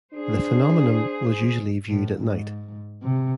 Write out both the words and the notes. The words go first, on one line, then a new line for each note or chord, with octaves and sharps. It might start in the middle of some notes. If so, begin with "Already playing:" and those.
The phenomenon was usually viewed at night.
D4 G#4 C5
A2
G#2
C3